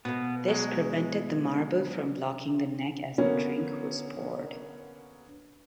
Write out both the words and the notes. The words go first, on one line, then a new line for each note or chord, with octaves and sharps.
This prevented the marble from blocking the neck as the drink was poured.
B2 A#3 B3
F#3 G#3
D3 F#3 A#3 B3 C#4